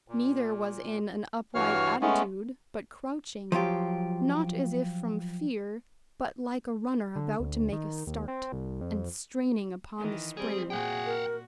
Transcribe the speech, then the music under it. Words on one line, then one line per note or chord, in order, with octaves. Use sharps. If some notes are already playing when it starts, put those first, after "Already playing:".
Neither was in an upright attitude, but crouching--not as if from fear, but like a runner about to make a start, and straining upon the spring.
A#2
G2 E3 F#4 C#5 F5 F6
G#3 A3 B3 C#4
F3 F#3 F4 G4
D3
D2
D#3
D#2
C4
C2
F2
D#3 E3
G3 C4 G#4
A#2 F#4 G#4 F#5 G5
A#4